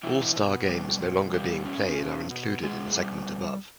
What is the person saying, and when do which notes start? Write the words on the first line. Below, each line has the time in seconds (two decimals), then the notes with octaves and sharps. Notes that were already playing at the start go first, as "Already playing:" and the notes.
All-star games no longer being played are included in a segment above.
0.03 B2 E3 E4
0.36 B2
0.68 G3
1.01 B2
1.33 B2 G3 G4
1.66 C#4
1.99 B2
2.31 B2
2.63 B2 G#3 G#4
2.95 G3